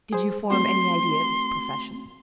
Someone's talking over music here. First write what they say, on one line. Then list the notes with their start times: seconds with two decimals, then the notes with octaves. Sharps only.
"Did you form any idea of his profession?"
0.13 G#4 C5
0.50 A3 C4 F#4 C6